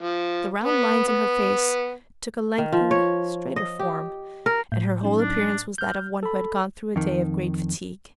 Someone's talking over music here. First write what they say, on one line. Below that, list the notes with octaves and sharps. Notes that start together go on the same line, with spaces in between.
The round lines in her face took a lengthened, straighter form, and her whole appearance was that of one who had gone through a day of great fatigue.
F3
B3
B3
D#3
F3
C#5
D#5
G4
A#4
A2 G6
F#3 C#4 D#4
D4
F6 G6
A4 B5
F2 D#3